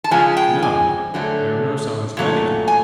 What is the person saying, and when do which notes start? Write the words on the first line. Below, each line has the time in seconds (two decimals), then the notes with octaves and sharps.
'None,--there were no signs of anything.
0.04 A5
0.11 C#3 F3 G#3 G#5
0.37 G5
0.63 G#5
1.14 D3 F#3 A3
2.17 A#2 F#3 A3
2.68 G#5